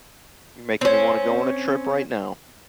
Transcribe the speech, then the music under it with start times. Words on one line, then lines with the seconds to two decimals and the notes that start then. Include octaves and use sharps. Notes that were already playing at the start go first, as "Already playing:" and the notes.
You're making me wanna go on a trip right now.
0.81 C4 C#4